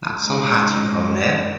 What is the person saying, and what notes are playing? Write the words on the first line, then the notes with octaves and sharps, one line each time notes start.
That's some hat you got on there.
G#3 C#4 D#4